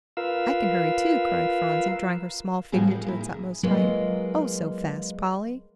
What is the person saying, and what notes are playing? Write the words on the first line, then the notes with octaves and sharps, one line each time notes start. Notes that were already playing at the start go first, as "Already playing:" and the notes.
"I can hurry too," cried Phronsie, drawing her small figure to its utmost height, "oh, so fast, Polly!"
F4 A#4 B4 F5 E6
A2 F3 G3 C4 F#4 G#4
F3 A#3
A#3 E4
G#4
F#3 G#3 A#3 F4 B4 D#5